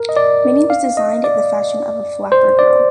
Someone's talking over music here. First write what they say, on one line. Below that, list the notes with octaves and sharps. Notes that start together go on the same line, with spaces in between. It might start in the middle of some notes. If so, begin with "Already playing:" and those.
Minnie was designed in the fashion of a "flapper" girl.
Already playing: A#4
D#5
D5
F5
D#5
D5
C5
D5